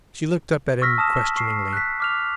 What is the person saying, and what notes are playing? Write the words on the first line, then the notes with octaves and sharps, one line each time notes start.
She looked up at him questioningly.
C#6 E6 F6 A#6 B6
A5 D#6 F6 E7
C#6 C7
F#6 B6
D6 F6 F7